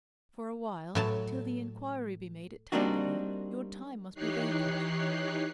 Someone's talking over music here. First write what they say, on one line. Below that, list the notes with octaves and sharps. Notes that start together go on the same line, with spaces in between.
For a while, till the inquiry be made at Tankerville, your time must be vacant.
A2 F#3 A5
G3 A#3 C4 D4 D#4 F#4
E3 D#4 G4 C#5 F#6 C7